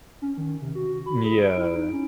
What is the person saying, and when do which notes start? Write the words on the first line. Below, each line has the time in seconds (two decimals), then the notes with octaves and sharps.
M yeah.
0.22 C#4
0.38 D#3
0.61 C3
0.75 F#4
1.06 B5
1.24 G#4
1.41 D7
1.57 E4
1.75 D#4
1.93 C#4